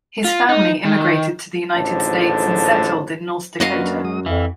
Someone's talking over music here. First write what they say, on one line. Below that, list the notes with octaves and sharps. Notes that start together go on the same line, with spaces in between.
His family immigrated to the United States and settled in North Dakota.
F4
D#4
D#3
A1 G#2 D3 F3 A5
F#2 F#4 D#5 F5
A#3 D4 B4
F#3 G#3 D#6
F2 E3 E5 F5